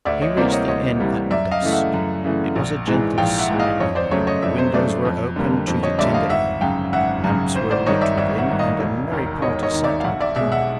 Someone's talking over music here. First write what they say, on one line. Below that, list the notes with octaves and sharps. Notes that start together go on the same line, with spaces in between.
He reached the inn at dusk: it was a gentle summer evening; the windows were open to the tender air; lamps were lit within, and a merry party sat at dinner.
D2 D5 E5
C#5 D#5
C3 E3 G3 A#3 C5 D5
C#5 D#5
D2 C#5 D#5
C3 E3 G3 A#3
F#2 D5 E5
D#5 F5
C#3 E3 A3
E5 F#5
F#2
C#3 E3 A3
A#1
G#2 E3 G#3
A#1 F5 G5
E5 F#5
G#2 E3 G#3
D#5 F5
F2 C#5 D#5
C5 D5
C#3 F#3 A3 C#5
C#5 D#5
F2 D5 E5
C5
C#3 F#3 A3 C5 D5
F2
D3 G3 A#3
F2
C#5 D#5
D3 G3 A#3 D5 E5
D#5 F5
G#1 E5 F#5
F#2 C#3 F5 G5
G#1 E5 F#5
F#2 C#3
G#1 C5
C5 D5
G2 D#3 C#5 D#5
D5 E5
G#1 D5 E5
E5 F#5
G2 D#3
D#5 F5
E1
D#2 D#3
E1 C#5 D#5
C#5 D#5
D#2 D#3
D5 E5
F5
B1 E5 F#5
D5 E5
B2 G#3 D5 E5
E5 F#5